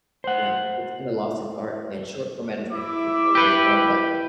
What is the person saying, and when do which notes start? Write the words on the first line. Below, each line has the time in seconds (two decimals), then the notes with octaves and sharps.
Yeah, it's kinda lost its art, and short format has definitely taken over as well, but,
0.24 C5 F#5
2.72 E4 E5 D6
3.35 G4 B4